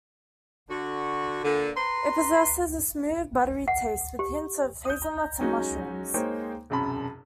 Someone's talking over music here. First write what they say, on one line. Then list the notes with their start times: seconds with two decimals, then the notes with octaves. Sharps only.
It possesses a smooth buttery taste, with hints of hazelnuts and mushrooms.
0.70 D3 F#4
1.44 A#2 D3
1.76 B4 A#5 C6
3.68 F#5
4.19 G4
4.85 D#6 G6
5.02 A#5
5.39 F#3 G#3 C#4 D#4 F#4
6.14 G#3 A#3 D#4 C5 C#5 G5
6.70 E1 C2 F#2 A5 B5